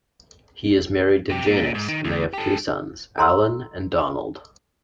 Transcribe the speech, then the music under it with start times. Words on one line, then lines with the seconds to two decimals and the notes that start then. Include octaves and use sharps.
He is married to Janice, and they have two sons, Alan and Donald.
1.30 C3 G4
1.45 A#2
1.75 G#2
1.88 D#3
2.05 D2
2.33 G4 A4
3.18 A4 A#5 C6 C#6 E6